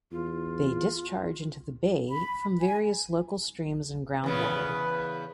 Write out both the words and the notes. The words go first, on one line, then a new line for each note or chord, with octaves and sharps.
They discharge into the bay from various local streams and groundwater.
E2 F4
B5
G#5
E2 C#3 B3 B4